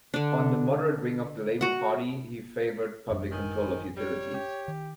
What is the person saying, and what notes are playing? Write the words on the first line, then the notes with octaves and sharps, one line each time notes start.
On the moderate wing of the Labour Party, he favoured public control of utilities.
D3 D4
F#4 F#5
A1 F#2 D4
D#3 G#5
G3 C#5
G4
D#3